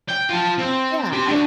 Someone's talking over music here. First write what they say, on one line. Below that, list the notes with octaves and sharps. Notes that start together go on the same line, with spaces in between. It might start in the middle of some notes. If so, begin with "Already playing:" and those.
Yeah, I
G5
F4 A5
C4
G4 C6
D4 F#4